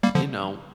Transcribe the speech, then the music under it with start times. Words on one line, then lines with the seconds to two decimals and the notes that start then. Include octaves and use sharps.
you know,
0.03 G3 A#3
0.15 D3 F3